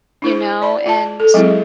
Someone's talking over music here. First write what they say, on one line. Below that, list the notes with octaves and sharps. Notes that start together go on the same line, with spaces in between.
you know, and
D4 E4 C5
D5 B5
F4 A5
A4
F#3 G#3 C4 E4 G#4